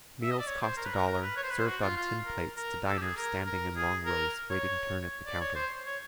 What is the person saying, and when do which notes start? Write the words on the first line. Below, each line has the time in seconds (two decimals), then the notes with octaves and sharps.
Meals cost a dollar, served on tin plates to diners standing in long rows waiting turn at the counter.
0.23 E5
0.31 D#5
0.39 D5
0.47 C#5
0.62 C5
0.77 A#4
0.85 B4
0.94 A#4
1.07 A#4
1.22 B4
1.37 C#5
1.43 C5
1.50 B4
1.58 C5
1.67 F#4
1.82 F4
1.97 F4
2.26 A#4
2.57 A#4
2.86 A4
2.98 G4
3.02 G#4
3.17 A#4
3.47 A#4
3.76 G#4
4.06 A#4
4.51 C#5
5.26 D5
5.41 C#5
5.55 C5
5.86 C#5